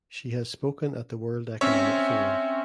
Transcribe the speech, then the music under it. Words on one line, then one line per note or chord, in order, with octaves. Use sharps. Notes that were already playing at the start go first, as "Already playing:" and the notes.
She has spoken at the World Economic Forum.
C4 C#4 C#5 E5